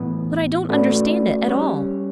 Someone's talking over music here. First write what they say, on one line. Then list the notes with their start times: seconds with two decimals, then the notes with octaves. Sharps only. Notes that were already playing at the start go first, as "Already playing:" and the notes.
But I don't understand it at all!
Already playing: A2 E3 B3
0.69 A3 C#4 F#4 B4 D5
1.48 G3 C#4 G4 C#5